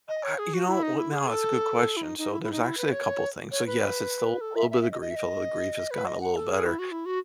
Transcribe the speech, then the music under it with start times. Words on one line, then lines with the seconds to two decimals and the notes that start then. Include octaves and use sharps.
Ah, you know what now, that's a good question. So, there's actually a couple things. So, yes, it's still a little bit of the grief, although the grief has gotten a little better,
0.08 D#5
0.23 C#5
0.38 G#4
0.53 F#4
0.68 E4
0.83 D#4
0.99 E4
1.13 G#4
1.28 A4
1.97 E4
2.03 D#4
2.18 D#4
2.32 E4
2.43 E4
2.52 D#4
2.63 E4
2.77 B4
2.92 C#5
3.51 C#5
3.66 B4
4.41 A4
4.56 E5
4.71 E5
4.81 E5
4.91 D#5
5.01 D#5
5.11 E5
5.16 D#5
5.91 B4
6.06 D#5
6.21 F#5
6.36 A4
6.51 G#4
6.66 E4
6.79 F#4
6.91 E4
7.06 F#4